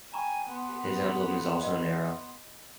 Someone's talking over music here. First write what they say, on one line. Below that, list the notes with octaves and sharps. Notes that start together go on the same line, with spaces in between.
His emblem is also an arrow.
G5 G#5 A#5 B5 C#6
B3 C6
C#5 D#5